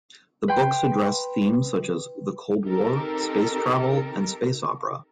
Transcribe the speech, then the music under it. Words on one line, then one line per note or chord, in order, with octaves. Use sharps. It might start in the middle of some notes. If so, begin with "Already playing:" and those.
The books address themes such as the Cold War, space travel, and space opera.
B4 G5 C6
C4 D#4 G4 A4 A#4